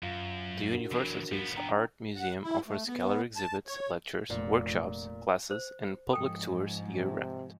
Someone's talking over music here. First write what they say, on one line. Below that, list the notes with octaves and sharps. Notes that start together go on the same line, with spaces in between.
The university's art museum offers gallery exhibits, lectures, workshops, classes, and public tours year-round.
F#2 F4 F5
D4 F#4 A#4
E3 F#3
F3 B3
D4 G5 A#5
F#5
E4
A3
B3
A5
C#5
F1 A#2
C5
G#2 F3 A4 G5
C3